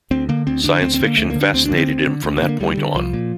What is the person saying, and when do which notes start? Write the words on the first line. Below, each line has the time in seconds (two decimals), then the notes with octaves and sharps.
Science fiction fascinated him from that point on.
0.11 D2 C4
0.29 D3 A#3
0.47 D2 C4
0.64 D3 D4
0.82 D2 C4
0.94 C4
1.01 D3
1.07 A#3
1.17 D2 A3
1.30 A#3
1.36 D3
1.41 D4
1.54 D2 C4
1.65 D4
1.72 D3
1.78 C4
1.89 D2
2.07 D3
2.24 D2
2.37 A#3
2.42 D3
2.49 A#3
2.60 D2 G3
2.77 D3
2.95 C2 F3
3.13 A#2